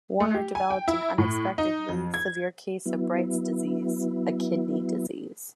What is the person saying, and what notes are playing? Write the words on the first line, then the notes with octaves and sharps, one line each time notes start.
Warner developed an unexpectedly severe case of Bright's disease, a kidney disease.
A3
G4
G#5
G5
E4
A2
D#4
F2
G#6
F#3 B3 E4